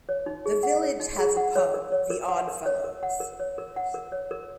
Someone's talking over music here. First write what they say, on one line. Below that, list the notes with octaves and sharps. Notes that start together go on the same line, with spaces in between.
The village has a pub The Oddfellows.
C#5
D#4
G#4
F#5
C#5
D#4
G#4
F#5
C#5
A#4
C#5
A#4
F#5
A#4
C#5
A#4
F#5
A#4
C#5
A#4
F#5
A#4
C#5
A#4